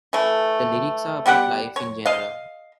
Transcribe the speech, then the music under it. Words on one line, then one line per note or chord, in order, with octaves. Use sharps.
The lyrics are about life in general.
E3 A3
G3 B3 G4 F#5
C#5
D#5 F5